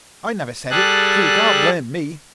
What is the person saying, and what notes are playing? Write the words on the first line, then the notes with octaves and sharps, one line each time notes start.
"I never said it--so you can't blame me."
G3 G#4 A4 F#6